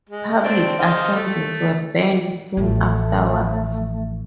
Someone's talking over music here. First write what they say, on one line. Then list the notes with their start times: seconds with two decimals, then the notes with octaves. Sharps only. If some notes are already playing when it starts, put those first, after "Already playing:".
Public assemblies were banned soon afterwards.
0.09 G#3
0.44 C4 D4
0.80 C5 D#5 F5
1.16 A3
2.57 A1 F3 A3